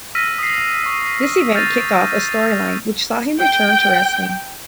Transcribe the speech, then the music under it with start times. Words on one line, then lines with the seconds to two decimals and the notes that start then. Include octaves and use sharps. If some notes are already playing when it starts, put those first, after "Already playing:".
This event kicked off a storyline which saw him return to wrestling.
0.15 E6 F6 A#6 B6 D#7
0.38 D#6 C7
0.86 C#6
1.55 F6 G6 A6 A#6 D#7 F7
3.40 G5